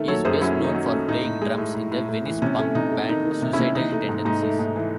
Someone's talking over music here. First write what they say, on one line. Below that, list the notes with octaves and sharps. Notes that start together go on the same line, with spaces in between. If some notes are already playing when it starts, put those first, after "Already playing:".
He is best known for playing drums in the Venice punk band Suicidal Tendencies.
Already playing: D#3 A3 E5
F#3 A4 C#5
F#2 G#4 C5
F#3 C#4 E4
D#3
D#4
F#3
C#4
A3
A2 D#4
A2
G#3
A2
A2
A2
A2
E3
C3 C#4
A3 C#4
C3 D#4
A3
D#3 D#4
D#3
D#4
C3
C#4 E4
C3
E3 D#4
A3 D#4
G#2
G#2 D#4
A3
G#2
E3